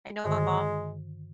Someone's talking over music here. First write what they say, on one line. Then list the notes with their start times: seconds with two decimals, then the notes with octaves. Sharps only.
know my mom,
0.25 G2 D3 D#3 G#3